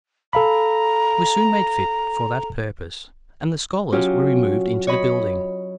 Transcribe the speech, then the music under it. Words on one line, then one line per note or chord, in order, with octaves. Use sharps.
It was soon made fit for that purpose, and the scholars were removed into the building.
A4 F5 A#5 B5
F#3 C#4 F4 G4
C#5 D#5 B5